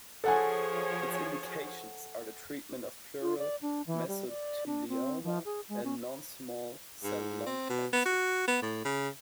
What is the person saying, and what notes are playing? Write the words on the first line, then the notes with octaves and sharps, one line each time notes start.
Its indications are the treatment of pleural mesothelioma and non-small cell lung cancer.
F3 G#4 A4 C#5 F#5 G#5
F4
D5
D4
E3
G3
D5
D4
C4
F3
G#4
G#3
C#4
G#2
C4
B2
B3
F#4
B3
A2
C#3